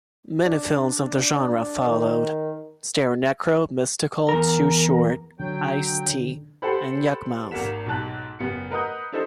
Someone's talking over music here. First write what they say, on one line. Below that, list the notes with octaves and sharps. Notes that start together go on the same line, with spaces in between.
Many films of the genre followed, starring Necro, Mystikal, Too Short, Ice-T and Yukmouth.
D4
D#3
E2 A#4
D3 F#3 G5
G4 A4 C5 F#5 B5
G#1 A#3 A#4 F#5 B6 E7
B1 G#2 A5 F#6
F#1 B3 C#7
A#4 B4 D#5 F#5 D#6 G6
D4 E4 A4 C5 D#5